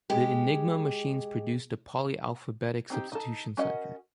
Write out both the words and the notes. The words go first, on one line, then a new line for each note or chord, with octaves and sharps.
The Enigma machines produced a polyalphabetic substitution cipher.
G#3 G4
C4 D#4 G4
D#4 A4
C#4 F#4 A#4 D#5 F#5